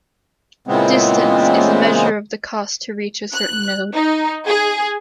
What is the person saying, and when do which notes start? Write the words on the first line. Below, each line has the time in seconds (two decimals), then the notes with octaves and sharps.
"Distance" is a measure of the cost to reach a certain node.
0.67 A#2 C#3 E3 G#3 B3 C4
3.34 F#6
3.94 D#4
4.48 G#4